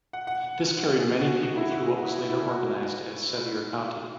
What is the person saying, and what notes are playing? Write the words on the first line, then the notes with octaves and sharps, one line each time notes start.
This carried many people through what was later organized as Sevier County.
F#5
F#5
G#4
F#4
F#4
E4
F#4
G#4
F#4
E4
F#4
E4
F#4